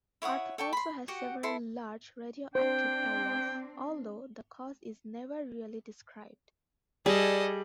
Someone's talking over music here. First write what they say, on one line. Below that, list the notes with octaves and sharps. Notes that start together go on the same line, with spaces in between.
Earth also has several large radioactive areas, although the cause is never really described.
E4 C#5 F#5 D#6
A4 G5 C#6
B5 C6
F#4 G4 F#5
E4 A4 C6
C4 D4 C5 G5
G3 G#4 A4 D5 D#5